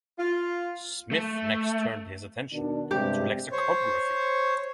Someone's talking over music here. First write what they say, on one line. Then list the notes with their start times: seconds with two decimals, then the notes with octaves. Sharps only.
Smith next turned his attention to lexicography.
0.18 F4
1.12 A3
2.53 B2 D#3 D4
2.91 G2 C3 G#3 G4
3.52 C5 C#5